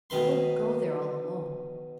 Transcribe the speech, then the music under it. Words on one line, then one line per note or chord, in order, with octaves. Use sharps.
"I wouldn't go there all alone."
B2 D#3 B4 C6